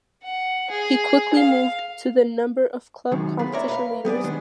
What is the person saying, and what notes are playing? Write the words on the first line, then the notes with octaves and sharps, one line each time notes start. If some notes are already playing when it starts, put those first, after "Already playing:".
He quickly moved to the number of club competition leaders.
F#5
G#4
F5
F#2 D#3 G#3
B3 F4 G#4 B4
A#4 C#5 D5 E5 A#5
B4 F5
G3 B3 G#4 D5
D#3 G#3 B3 D4